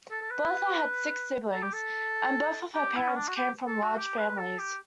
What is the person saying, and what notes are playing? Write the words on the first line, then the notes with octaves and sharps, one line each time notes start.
Bertha had six siblings and both of her parents came from large families.
A4
A4
B4
A4
G4
A4
G4
E4
C#4
D4
F#4
G4
A4
F#4
G4
B4
B4
A4
G4